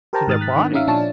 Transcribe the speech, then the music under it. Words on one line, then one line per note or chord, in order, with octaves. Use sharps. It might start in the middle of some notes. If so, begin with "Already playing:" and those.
to their bodies?
G4 A#4 C5 G5 A5 A#5
G#2 D#3 D#6 F6 A6
F#6 B6
D#3 D4
C#4 D#4 E5 F5
A#2 F3 D4 C#5 A5